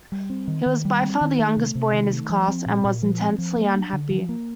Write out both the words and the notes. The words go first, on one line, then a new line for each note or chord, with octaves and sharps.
He was by far the youngest boy in his class and was intensely unhappy.
G3
C4
D#3
D#3
G3
C4
D#3
A3
C3
C3
D#3
A3
F3
C4
A#2
A#2
F3
C4
F3
A#3
D4
D3
F3
A#3